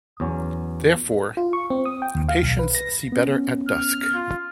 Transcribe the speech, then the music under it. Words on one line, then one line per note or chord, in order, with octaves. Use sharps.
Therefore, patients see better at dusk.
E2 F#3 C#4
F4
C#6
C4
D#6
G5
D#2
F5
B1
B4
A#6
B3 C#4
F6
F4